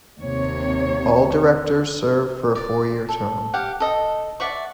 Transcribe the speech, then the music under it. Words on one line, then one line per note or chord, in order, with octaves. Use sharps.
All directors serve for a four-year term.
D#2 C3 C#5
D5
A4
G4 F5 F#5
A4 D#5
D5 E5 F#5 C#6